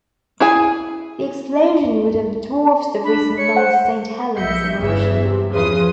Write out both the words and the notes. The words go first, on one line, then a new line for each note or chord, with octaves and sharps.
The explosion would have dwarfed the recent Mount Saint Helens eruption.
E4 G#4 G#5
D4 B5
C#5 C#7
C5 F#5
A#1 D#5 E5 G6 C#7
G1 E2 G2 C#3 E3 E5
C3
E2 C#3 F3 B4 C6 D#6